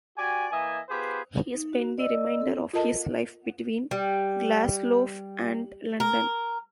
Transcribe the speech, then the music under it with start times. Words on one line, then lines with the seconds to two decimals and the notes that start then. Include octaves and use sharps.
He spent the remainder of his life between Glaslough and London.
0.17 F#4 G4 D5 G#5
0.52 E3 A#3 D#5 E5 G#5
0.89 B3 F4 G4 G#4 B4 C5
1.54 D#4
1.73 F#4
1.98 D5 D#5 E6
2.40 C4 A4
2.73 F4 A4 A#4 D#5 A5
3.91 G3
6.00 A#4